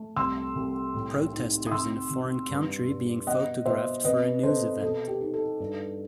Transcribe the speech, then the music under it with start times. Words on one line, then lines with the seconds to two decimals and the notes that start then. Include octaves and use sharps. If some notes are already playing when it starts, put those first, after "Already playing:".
Protesters in a foreign country being photographed for a news event.
Already playing: A3
0.16 C2 C6 E6
0.55 C2
0.94 A2
1.33 D#4
1.67 D#6
1.71 C3 C6 E6
2.10 C3
2.50 G2
2.89 G2
3.27 B2 D#5 F#5
3.66 B2 C5 E5
4.04 C3 B4 D#5
4.43 C3 A4 C5
4.82 B2 A4
5.08 G4
5.21 D#4
5.34 A4
5.60 G2